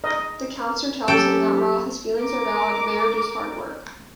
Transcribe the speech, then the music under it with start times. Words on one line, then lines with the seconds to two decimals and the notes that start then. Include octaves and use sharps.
The counselor tells him that while his feelings are valid, marriage is hard work.
0.04 D#5
1.08 F#3 A#3 C#4 G4 A4 G5 D6
2.21 A#4 D6